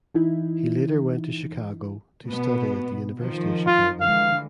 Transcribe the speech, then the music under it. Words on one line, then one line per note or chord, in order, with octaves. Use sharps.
He later went to Chicago to study at the University of Chicago.
E3 D#4 E4
B2 B3
D#3 F3
F4
D3 E3 G#3 F5